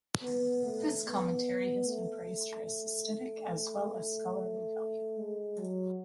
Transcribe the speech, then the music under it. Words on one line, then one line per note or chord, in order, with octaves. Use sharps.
This commentary has been praised for its aesthetic as well as scholarly value.
B3
A3
B3
A3
G#3
F#3